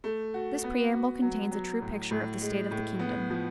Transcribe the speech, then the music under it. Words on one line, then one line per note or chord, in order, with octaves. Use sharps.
This preamble contains a true picture of the state of the kingdom.
A3
F#4
B3
F#4
F#3
F#3
A2
A2
G#3
A2
B3
F3